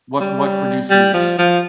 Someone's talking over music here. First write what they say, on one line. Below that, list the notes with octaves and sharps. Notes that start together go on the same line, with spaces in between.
what what produces
G3
G3
F3
F3